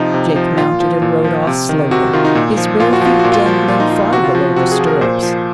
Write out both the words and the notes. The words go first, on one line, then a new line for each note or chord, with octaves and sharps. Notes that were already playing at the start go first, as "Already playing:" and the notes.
Jake mounted and rode off slowly, his bare feet dangling far below the stirrups.
Already playing: C3 F3 D#4
C3
F3
A#2 F4
F3
A#2
F3
C3
D#3
C3 F#4
D#3 F4
D#4
A#2
F3
A#2 F4
F#4
F3 F4
F#4
A#2
F4
F3
A#2 F4
D#4
F3 F4
C3 F#4
F4
F3 F#4
C3 F#4
G#4
F3
A#4
A#2 C5
F3